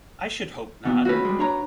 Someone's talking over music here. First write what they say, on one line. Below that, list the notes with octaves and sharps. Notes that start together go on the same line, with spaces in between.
I should hope not!
B2 E3 B3
D#2 A3 C#4 F#4 B4
G3 G#3
D4 C#5 A#5